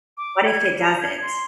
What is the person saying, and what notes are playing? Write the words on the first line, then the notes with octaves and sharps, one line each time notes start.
what if it doesn't?
D6
G#6
A#5
G#6
C6